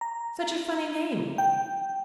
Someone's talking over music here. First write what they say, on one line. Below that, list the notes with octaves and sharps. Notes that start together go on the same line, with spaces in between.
"Such a funny name."
A#5
G5